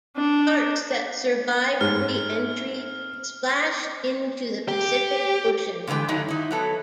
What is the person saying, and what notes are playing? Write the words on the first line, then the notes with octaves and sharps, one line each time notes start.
Parts that survived reentry splashed into the Pacific Ocean.
D4
G#2 F6
G4
A#2 D3 E3 G#3 G5
G2 D#3 F#3 A3 D#4
D#4 E4
F#3 B3 A4